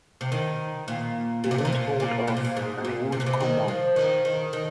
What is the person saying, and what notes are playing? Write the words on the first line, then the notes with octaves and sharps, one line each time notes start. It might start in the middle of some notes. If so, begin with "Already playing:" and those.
He won't hold off, and he won't come on.
C3
D#3
A#2
A#2
C3
A#2
C3
A#2
A#2
A#2
C3
A#2
G#2
A#2
C3
A#2
C3
D#3
F3
D#3
D#3
D#3